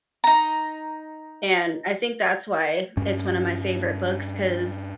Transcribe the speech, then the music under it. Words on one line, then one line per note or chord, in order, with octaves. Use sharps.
And I think that's why it's one a my favorite books 'cause
D#4 A#5
G2 C#4